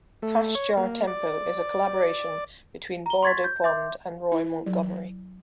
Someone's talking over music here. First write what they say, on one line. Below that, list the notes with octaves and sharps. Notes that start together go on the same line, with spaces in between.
Hash Jar Tempo is a collaboration between Bardo Pond and Roy Montgomery.
A3
C#5
A#3
D5
A#5 G7
C6 C#6 G#6 A6 B6
G6
E5 C6 D6 G6
E4
F#3